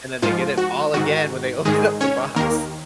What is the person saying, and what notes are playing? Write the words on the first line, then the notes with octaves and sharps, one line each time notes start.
and then they get it all again when they open up the box.
G#2 F3 F4
F#4
G#2 D#3 F#4
G#2 D#3 G#3 G#4
C#4 C#5
D#2 D#3 A#3 A#4